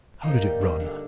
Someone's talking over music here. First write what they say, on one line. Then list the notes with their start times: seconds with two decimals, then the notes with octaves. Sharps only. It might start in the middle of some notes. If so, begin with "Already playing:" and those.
How did it run?
0.22 A#3 D#4
0.41 G3
0.61 G2
0.80 D3